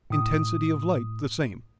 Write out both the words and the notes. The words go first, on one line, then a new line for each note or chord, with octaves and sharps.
Intensity of light the same.
A2 D#6